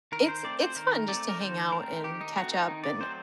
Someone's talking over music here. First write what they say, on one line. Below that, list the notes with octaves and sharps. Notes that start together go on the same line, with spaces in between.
it's it's fun just to hang out and catch up and
D#3 A#4
C5
A3 C4 D5
C5
D#3 A#4
A3 C4 D5
A#4
D#3 C5
A3 C4 A#4
D#3 G4
D#4
A3 C4 F#4
D#4
D#3 D#4
D5
F#3 A3 C4 C5